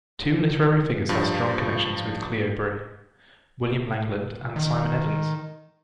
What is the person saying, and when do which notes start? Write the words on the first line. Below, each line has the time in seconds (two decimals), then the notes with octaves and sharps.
Two literary figures have strong connections with Cleobury: William Langland and Simon Evans.
1.09 G2 F3
4.56 D#3